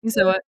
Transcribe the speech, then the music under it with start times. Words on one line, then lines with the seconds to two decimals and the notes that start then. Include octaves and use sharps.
You say what?
0.16 C#5